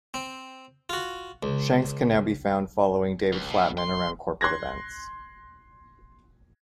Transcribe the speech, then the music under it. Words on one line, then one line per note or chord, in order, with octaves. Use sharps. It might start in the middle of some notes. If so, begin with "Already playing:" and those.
Shanks can now be found following David Flatman around corporate events.
C4
F4 F#4
C#2
C#2
B2
C6
C6 F#6 G#6 A#6